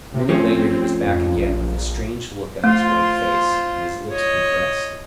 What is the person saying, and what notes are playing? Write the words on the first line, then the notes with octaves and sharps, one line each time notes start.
A minute later he was back again, with a strange look on his white face, and his lips compressed.
C3
F3 A3 C4 C#4
F2
A#1
A3 F4 C5
C#5 D#5